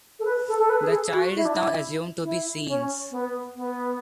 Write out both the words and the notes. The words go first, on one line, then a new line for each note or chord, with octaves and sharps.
The child is now assumed to be Sean's.
A4
B4
A4
A4
B4
G#4
A4
F#4
E4
D4
E4
E4
C#4
B3
B3